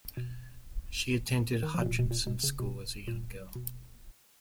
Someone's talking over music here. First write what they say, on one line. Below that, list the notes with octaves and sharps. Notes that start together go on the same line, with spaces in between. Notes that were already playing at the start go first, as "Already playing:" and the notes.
She attended Hutchison School as a young girl.
B2
D#3
F3
B2
A#2
B2
A#2
B2
C#3
B2
A#2
B2